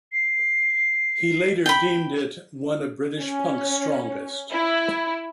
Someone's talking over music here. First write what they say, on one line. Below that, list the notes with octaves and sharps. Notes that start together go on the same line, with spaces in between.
He later deemed it "one of British punk's strongest".
C7
G5 B5
C#4
E4